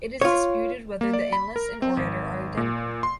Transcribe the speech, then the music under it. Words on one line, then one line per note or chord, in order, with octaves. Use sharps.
It is disputed whether the annalist and orator are identical.
F4 C#5
A#3
D5
B5
A#4
C4
G#1
A#2
C6